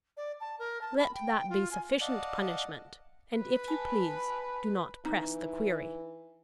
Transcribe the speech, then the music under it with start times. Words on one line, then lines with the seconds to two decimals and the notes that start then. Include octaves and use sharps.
Let that be sufficient punishment; and, if you please, do not press the query.
0.17 D5
0.40 A5
0.59 A#4
0.81 A5
0.99 B5
1.14 G5
1.50 F4
1.71 G#5
2.01 D5 D#5 F5 F#5 A5
3.37 B4
3.67 G#5 A5 B5
5.05 E3 D#4